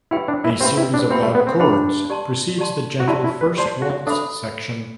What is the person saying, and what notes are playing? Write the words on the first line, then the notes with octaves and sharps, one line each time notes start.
A series of loud chords precedes the gentle first waltz section.
E4 G4 B4 E5 G5 B5
D4
E4
C4 G4 B4 E5 G5 B5
E4
D4
C4 G4 B4 E5 G5 B5
A3
B3
C4
D4 G4 B4 E5 G5 B5
G4 D5 A5 C6
G4 D5 A5 C6
F#4
E4 G4 D5 A5 C6
E4
B4
G4 C5 D5 A5 C6
F#4
D4 A4 E5 B5